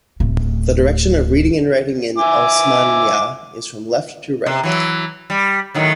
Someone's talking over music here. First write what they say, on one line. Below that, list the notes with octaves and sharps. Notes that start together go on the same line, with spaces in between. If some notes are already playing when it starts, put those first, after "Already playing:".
The direction of reading and writing in Osmanya is from left to right.
D1 A3
E5 G#5 D6
C3
E3 F#3
G3
A2 D#3 F#3